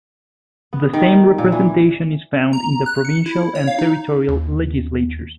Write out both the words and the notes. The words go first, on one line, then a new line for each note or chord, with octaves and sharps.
The same representation is found in the provincial and territorial legislatures.
B3
D#3
A#2
E3
A#5
F#6
C#7
E4
C#5
F5
D#4
D#2